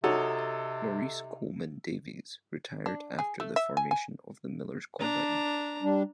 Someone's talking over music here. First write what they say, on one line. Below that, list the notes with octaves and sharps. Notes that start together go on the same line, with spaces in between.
Maurice Coleman Davies retired after the formation of the Millers Combine.
C3 D#4 F#4 A4 C#5
D4
G#4
A3
E5
G#5
G#5
D4 A#5
G3 D4